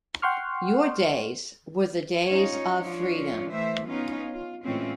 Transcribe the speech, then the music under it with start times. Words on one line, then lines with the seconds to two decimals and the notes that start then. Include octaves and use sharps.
Your days were the days of freedom.
0.22 F#5 G5 C6 C#6 F6
2.26 C#4 D#4 F4 C#5
2.77 F3 D4 F4 C#5
3.50 E3 A3 C5 E5
3.87 B3 C#4 D#4 F4
4.33 F4
4.64 A2 E3 G#3 C4 C#4 F4